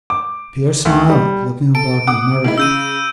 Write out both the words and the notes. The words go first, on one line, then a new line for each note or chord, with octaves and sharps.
Pierre smiled, looking about him merrily.
D6
D2
G3
A4 D7
F#5 D6 D#6
D#3 G#3 E4
C#3 E6 G6 D#7